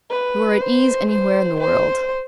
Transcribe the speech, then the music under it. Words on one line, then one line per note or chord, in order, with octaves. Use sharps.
You are at ease anywhere in the world.
B4
C5
C5
C5